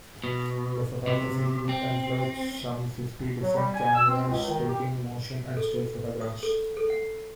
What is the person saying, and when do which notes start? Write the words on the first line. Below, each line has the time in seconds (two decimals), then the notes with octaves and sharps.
The photography group employed some fifty different cameras, taking motion and still photographs.
0.24 B2
1.07 C3
1.69 C4
3.42 F#3
3.55 G3
3.74 G#5
3.95 E6
4.08 C4
4.28 C#2
4.49 D#3
4.68 G4
5.57 A4
6.21 D#6
6.43 A4
6.77 A4
6.90 F#5